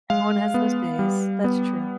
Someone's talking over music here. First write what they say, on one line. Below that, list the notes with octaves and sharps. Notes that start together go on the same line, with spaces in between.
Everyone has those days. That's true.
G#3 F5
B3
G3
B3